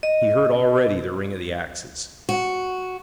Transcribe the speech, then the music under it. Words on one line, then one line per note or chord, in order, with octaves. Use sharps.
He heard already the ring of the axes.
D#5
F#4